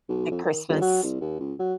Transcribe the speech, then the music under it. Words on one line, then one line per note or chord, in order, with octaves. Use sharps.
At Christmas.
B1
F2
D#3
G1
F#3
C2
D#2
C#2
F#3